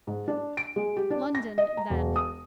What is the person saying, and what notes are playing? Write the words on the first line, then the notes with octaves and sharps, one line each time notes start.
"London, then."
G#2
D4
D7
G#3
G4
D4
A#6
D#5
A#5
E1
D#6